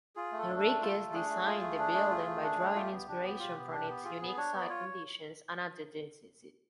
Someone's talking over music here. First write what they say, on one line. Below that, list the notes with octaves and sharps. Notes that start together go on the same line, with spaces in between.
Henriquez designed the building by drawing inspiration from its unique site conditions and adjacencies.
F4 G#4
A3
A4
D4
A4
A3
F4 A4
A3
D4 G#4
A3
F4
A3
D4
A3
F4
A3
D4
A3
F4 G4
B3
D4
B3
F4
B3
D4
B3
F4 G#4
B3
D4 C#5
B3
D5
F4 C#5